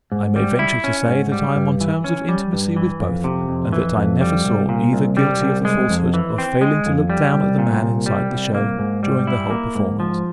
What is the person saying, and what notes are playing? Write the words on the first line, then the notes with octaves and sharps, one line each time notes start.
I may venture to say that I am on terms of intimacy with both, and that I never saw either guilty of the falsehood of failing to look down at the man inside the show, during the whole performance.
G#2
G3
E4
C#4
G#2
G3
G2
E3
C#4
G3
G2
E3
F2
C3
F2
E3
F2
G3
C2
A#2
C2
G3
C2
G#3
F2
E3
C4
G#3
F2
G3
C2
A#2
C2
G3
C2
A#3
G#2
G3
E4
A#3
G#2
F3